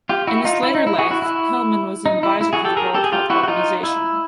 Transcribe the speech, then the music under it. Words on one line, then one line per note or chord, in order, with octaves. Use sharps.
In his later life, Hilleman was an adviser to the World Health Organization.
F4 G4
E4 F#4
D#4 F4
E4
D#4
E4
F#4 G#4
E4 F#4
E4
D#4
E4
E4
F#4 G#4
G4 A4
G#4 A#4
G4 A4
G#4
F4 G4
E4 F#4
F#4
D#4 F4
E4